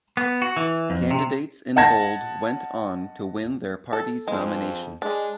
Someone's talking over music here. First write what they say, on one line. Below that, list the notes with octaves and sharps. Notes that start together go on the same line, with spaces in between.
Candidates in bold went on to win their party's nomination.
B3
F#4
E3
F2
C3
D#5 F#5 A5 G#6 A#6
A4
F2 G#3
G#3 D4